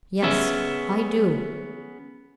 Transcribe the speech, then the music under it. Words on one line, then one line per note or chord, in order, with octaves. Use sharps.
"Yes, I do."
B3 C#4 G#4 E5